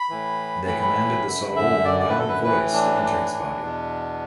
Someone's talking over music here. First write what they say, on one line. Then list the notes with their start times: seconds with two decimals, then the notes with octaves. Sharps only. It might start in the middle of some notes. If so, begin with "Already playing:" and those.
They commanded the soul in a loud voice to enter his body.
Already playing: B5
0.09 A2 E3
0.67 B5
0.82 B5
1.26 F#2 D3
1.56 E5
1.85 D5
2.00 D5
2.09 B4
2.18 A4
2.28 B4
2.43 A2 E3 B4
2.73 D4
3.02 D4
3.32 D4
3.61 E2 B2